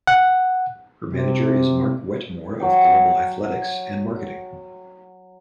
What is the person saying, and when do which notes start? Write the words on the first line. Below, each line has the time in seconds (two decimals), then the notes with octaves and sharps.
Her manager is Mark Wetmore of Global Athletics and Marketing.
0.07 F#5
1.13 C3
2.60 F#3 G5